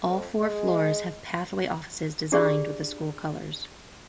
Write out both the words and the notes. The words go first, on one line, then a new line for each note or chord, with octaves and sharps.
All four floors have pathway offices designed with the school colors.
F2
G#3
D4 F4 G4 G#4 D5